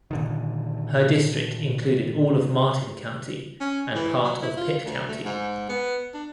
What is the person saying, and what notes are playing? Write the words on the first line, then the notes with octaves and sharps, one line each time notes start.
Her district included all of Martin County and part of Pitt County.
A#2 D3 D#3
C#4
E3
F#3
E4
F4
D2
A3
G#2
B3
D4